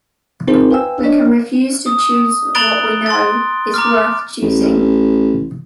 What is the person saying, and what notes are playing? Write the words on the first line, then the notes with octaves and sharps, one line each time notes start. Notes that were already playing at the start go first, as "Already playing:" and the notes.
We can refuse to choose what we know is worth choosing.
C4 D#4 F4 G#4 A#4 C5
B4 F5 G5 G#5 E6
D4 C#5 D#5
D#6
A#5 B5 F#6 A6 D7 G7
C6 A6
A#5 D6 F6
A1